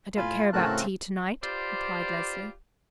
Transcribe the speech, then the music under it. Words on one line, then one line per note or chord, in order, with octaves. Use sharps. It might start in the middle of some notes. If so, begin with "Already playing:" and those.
"I don't care about tea to-night," replied Leslie.
A2 F4 G#5 B5
A2 C#3 A3 C4 F#4 A#4 A5 F#6
F4 G4 B4 C5 D5